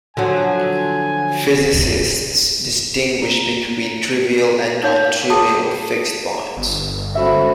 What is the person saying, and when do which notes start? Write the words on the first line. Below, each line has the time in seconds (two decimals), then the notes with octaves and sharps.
Physicists distinguish between trivial and nontrivial fixed points.
0.17 D3 F3 F#3 G#5
3.22 A#3
4.83 D#4 C#5 F5 G5
5.30 G#4 G5 A5 B5 D#6
6.57 G1
7.15 G#3 C#4 F#4 A4 C5 E5 B5